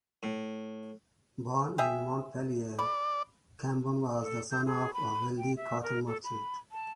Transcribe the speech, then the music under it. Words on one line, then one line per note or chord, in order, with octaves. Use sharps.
Born in Montpellier, Cambon was the son of a wealthy cotton merchant.
A2
G4 G#4 E5
D5 B5
A4
G6
G#4
B5
G5
E5
A#4
A4
B5
A5